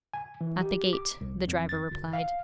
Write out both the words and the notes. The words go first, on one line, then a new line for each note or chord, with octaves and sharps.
'At the gate,' the driver replied.
G#5
E3
G4
D6
C2
F2
A6
G1
F5